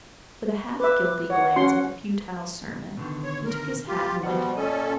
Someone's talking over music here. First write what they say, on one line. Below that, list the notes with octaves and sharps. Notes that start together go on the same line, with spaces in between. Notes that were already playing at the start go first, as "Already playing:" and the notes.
With a half guilty glance at the futile sermon, he took his hat and went out.
B4 E5 D6
C#5 F#5
C#4 F#4 C6
B2 D3 D#3
C#5
A#4
F4 G4
B2 F3 G3 F#5
A#2 C#4 A4 D#5